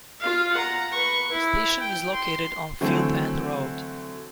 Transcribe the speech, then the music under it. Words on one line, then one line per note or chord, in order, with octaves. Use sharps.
The station is located on Field End Road.
F4 F5
F#5 A#5
B4 C#6
E4
G5
C6
D3 E3 F#3 A3 C4